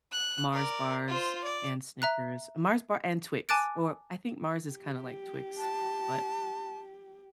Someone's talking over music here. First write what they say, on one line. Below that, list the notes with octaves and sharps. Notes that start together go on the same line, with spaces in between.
Mars bars and Snickers. Mars bar and Twix. Or I think Mars is kinda like Twix, but
F#6
A#4 D5
F4 C5
D5
E5 A#5 F#6
G#5 A5 D6 F#6 A6 D7
G4
A5